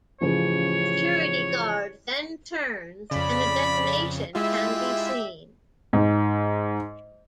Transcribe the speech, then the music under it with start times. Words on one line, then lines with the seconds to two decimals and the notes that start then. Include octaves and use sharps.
The security guard then turns and a detonation can be seen.
0.21 A1 C#3 F3 C#5
3.11 F2 C#3 D5 B5
4.35 G#3 E4 F4 G4 E5
5.93 G#2